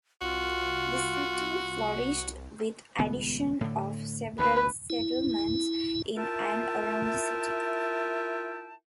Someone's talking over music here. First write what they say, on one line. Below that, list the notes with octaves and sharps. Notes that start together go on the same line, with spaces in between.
The city flourished with addition of several settlements in and around the city.
C2 F4 F#4
D#1 C#2 B3
A2 D3
D2 B4
E4
E4 F4 A#4 E5 G5 A5